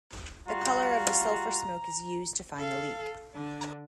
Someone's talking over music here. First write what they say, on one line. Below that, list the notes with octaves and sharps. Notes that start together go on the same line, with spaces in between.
The color of the sulfur smoke is used to find the leak.
G3 F4 F#4 A#5
A4 F5
D3 D4